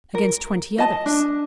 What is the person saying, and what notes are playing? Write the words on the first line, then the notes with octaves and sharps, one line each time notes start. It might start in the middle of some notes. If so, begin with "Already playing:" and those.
"Against twenty others."
A#4
D#5 A5
D4